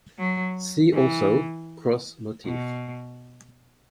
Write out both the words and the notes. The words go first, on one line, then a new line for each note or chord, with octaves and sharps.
See also: Cross motif.
F#3
E3
B2